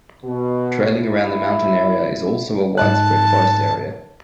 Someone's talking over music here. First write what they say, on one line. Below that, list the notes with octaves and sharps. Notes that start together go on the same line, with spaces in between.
Trailing around the mountain area is also a widespread forest area.
B2
E4
G#2 A5 F#6